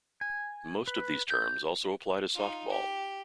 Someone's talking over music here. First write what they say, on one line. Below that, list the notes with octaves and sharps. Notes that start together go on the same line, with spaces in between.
Most of these terms also apply to softball.
G#5
B4
G6
D#4 F4
G4